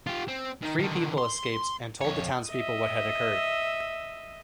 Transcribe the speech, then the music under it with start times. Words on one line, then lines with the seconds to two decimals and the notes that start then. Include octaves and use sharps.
Three people escaped and told the townspeople what had occurred.
0.07 F4 G4
0.28 C4
0.62 D#3 D#4
0.79 D3 D#3
1.18 C6
2.01 F2 C#5
2.50 D#5 E5